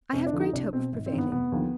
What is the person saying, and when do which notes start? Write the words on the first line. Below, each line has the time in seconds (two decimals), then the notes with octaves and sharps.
I have great hope of prevailing.
0.13 F1 C4
0.27 D4
0.33 F2 D3 F3
0.40 D#4
0.53 C2 D4
0.73 B2 C4
0.93 G#1
1.06 C4
1.12 G2 D#3
1.18 B3
1.32 F1 B3
1.52 D#2 D3 F3